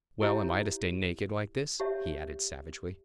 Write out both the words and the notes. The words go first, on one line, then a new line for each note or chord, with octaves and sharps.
"Well, am I to stay naked like this?" he added savagely.
E4 G4 C#5 E5 A5
G4 C#5 E5 A5